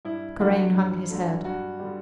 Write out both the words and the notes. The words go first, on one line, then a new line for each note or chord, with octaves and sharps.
Karain hung his head.
G2 E4
D3 F#3 A3 F#4
G2
D3 F#3 A3
G2 F#4
D3 G3